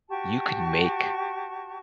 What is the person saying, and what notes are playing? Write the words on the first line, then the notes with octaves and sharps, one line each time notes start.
you could make
F#4 G4 A5 C#6